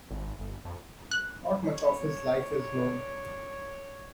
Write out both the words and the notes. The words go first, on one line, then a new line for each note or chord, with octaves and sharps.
Not much of his life is known.
G#1
G1
F2
F#6
D4 C#5